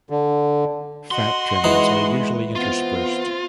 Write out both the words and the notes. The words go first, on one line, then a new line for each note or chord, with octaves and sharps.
Fat trimmings are usually interspersed.
D3
F#4 D#5 C6
E3 G#3 D#4
B3 C4 F4